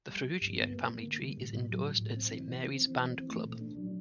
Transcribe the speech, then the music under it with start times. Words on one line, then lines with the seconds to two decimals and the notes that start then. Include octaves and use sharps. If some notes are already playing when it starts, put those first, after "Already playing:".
The Farrugia family tree is endorsed at Saint Mary's Band Club.
0.09 G3
0.25 G3
0.41 G2
0.56 B3
0.72 A#3
0.90 A#3
1.05 D3
1.21 G3
1.38 A2
1.53 A2
1.69 F#3
1.85 A2
2.01 A2
2.17 C4
2.33 E3
2.49 C4
2.65 C4
2.80 E3
2.97 C4
3.13 E3
3.29 A3
3.45 A#2
3.61 D4
3.77 F#3